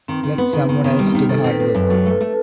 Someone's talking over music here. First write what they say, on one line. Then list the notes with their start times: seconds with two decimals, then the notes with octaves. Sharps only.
Let someone else to the hard work.
0.08 D#3 C4
0.23 D#3
0.38 B3
0.53 D#3
0.69 D#3 B3
0.84 D#3
0.89 C4
0.99 G3
1.10 D#4
1.15 D#3
1.29 D#3 A4
1.44 C4
1.50 B4
1.60 C4
1.70 B4
1.75 F#2
1.90 F#3 A4
2.06 A3
2.21 A3